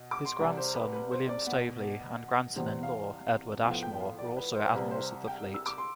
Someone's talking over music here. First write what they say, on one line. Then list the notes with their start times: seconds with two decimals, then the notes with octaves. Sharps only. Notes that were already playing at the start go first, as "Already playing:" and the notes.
His grandson William Staveley and grandson-in-law Edward Ashmore were also Admirals of the Fleet.
Already playing: B2
0.11 D6
0.25 C6
0.39 C2 C3 G3 D5
0.57 C5
0.75 B4
0.93 B4
1.11 C5
1.29 D5
1.47 B2 B3
2.56 E2 C3 E3 G3 B3 C5
2.83 F5
3.65 A2 F3 B3 F5
3.83 G5
3.93 G5
4.01 F5
4.19 D5
4.37 B4
4.55 C5
4.69 C5
4.73 C2 C3 G3 B4
4.91 C5
5.27 G5
5.54 E6
5.66 D6
5.78 C6